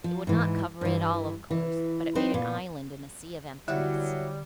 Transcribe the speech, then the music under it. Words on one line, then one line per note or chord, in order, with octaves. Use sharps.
It would not cover it all, of course; but it made an island in a sea of emptiness.
F3
G#2 E3
G2 E3
E3
C4 D#4 B4 C5
A#2 B3
G2 D3 F#3 G3 E4 F#4